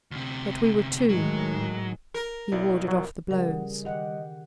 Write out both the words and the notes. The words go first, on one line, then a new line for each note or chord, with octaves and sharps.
But we were two; he warded off the blows . . .
D2 C3
A2 D#3 F#3 G#3
A#4
B1 E4 D5
F#3
C#3 E3 G3 G#4 A#4 F#5
D#3 G4 D#5 F#5